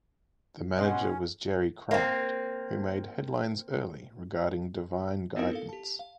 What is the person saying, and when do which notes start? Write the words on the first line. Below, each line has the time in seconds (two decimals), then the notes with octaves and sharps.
The manager was Gerry Craft, who made headlines early regarding divine guidance.
0.78 B2 C#4 D#5 F#5 C6
1.91 A#3 C4
5.36 B3 C4 D#4 E4 F#4 A#4
5.53 A4 F5
5.69 G4 A5
5.99 F5